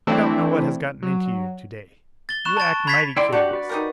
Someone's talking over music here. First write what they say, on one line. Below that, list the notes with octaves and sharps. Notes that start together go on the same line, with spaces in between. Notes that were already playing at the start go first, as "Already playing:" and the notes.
I don't know what has got into you to-day; you act mighty curious.
E3 A3 C4 D4 E4
F#3
A6 G7
B5 C#6 F#6 E7
A5 B5 A6 D7
B5 G#6 A6 B6 C7 F7
E4 D5 G5 C6
D4 F#4 G4 F#5
F#4 B4 D5
D#4 G4 A#4